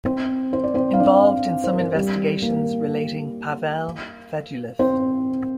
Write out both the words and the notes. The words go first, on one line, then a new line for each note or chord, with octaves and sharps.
Involved in some investigations relating Pavel Fedulev.
C4 C5
C5
D5
C4 C5
F5
D4 D5
C5
A#4
C4 C5
G3 G4
A#3 A#4
C4 C5